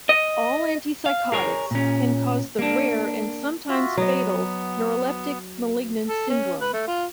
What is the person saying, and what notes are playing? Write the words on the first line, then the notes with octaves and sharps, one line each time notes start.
All antipsychotics can cause the rare and sometimes fatal neuroleptic malignant syndrome.
D#5
F5
G#4 A#4 C#5
A#2 C#4
A#3 D4
F4 F#4 E5
F#3 B3 D#5
A4
C#4
B4
A3
F4